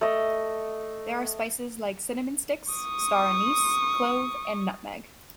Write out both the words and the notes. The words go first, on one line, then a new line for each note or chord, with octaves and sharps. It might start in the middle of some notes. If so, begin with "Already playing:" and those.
There are spices like cinnamon sticks, star anise, clove and nutmeg.
A3 D#5
C#6 D#6